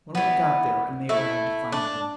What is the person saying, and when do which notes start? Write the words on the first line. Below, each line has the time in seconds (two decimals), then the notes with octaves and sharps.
When we got there, a neighbor had to find him.
0.15 E3 B3
1.09 A3 E4
1.72 D4